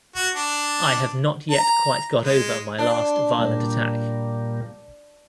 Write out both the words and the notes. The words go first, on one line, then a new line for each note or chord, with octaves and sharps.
I have not yet quite got over my last violent attack.
F#4
D4
A#5
G#3
D4 C6
A#2 G3 A#3